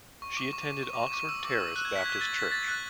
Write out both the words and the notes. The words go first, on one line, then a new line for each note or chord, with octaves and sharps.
She attended Oxford Terrace Baptist Church.
C#6
D6
C#6
C#6
D6
C#6
D6
E6
D6
E6
F#6
G#6
B6
G#6
A6
B6
A6
F#6